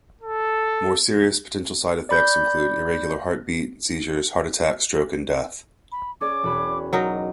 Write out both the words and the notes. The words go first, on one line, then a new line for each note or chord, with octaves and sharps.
More serious potential side effects include irregular heartbeat, seizures, heart attack, stroke, and death.
A4
D5 B5 G6
B5
C#4 G#4 D5 D6
E1 F#4 B5
F#3 D#4 A#4 D#5